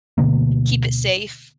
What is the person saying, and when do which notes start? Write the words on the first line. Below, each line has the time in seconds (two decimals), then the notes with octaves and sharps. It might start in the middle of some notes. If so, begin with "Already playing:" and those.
keep it safe.
0.18 D2 B2 D3 A#3